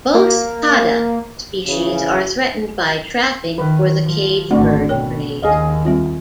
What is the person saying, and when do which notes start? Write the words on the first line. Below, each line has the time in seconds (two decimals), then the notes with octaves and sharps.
Both "Padda" species are threatened by trapping for the cage bird trade.
0.14 A#3
1.67 C#3 E3
3.58 D#3 B4
4.02 F3
4.51 G#1 D3 A3 C4 D4 F#4 F#5
4.89 B2 A#4 C#5 G5
5.42 D#2 G#4 D#5 F5
5.85 G3 C4 F4